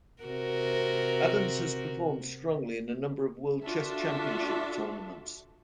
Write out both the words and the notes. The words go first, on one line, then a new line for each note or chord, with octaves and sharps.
Adams has performed strongly in a number of World Chess Championship tournaments.
C3 F#4 A#4
D4 F4 F#4 A4 E5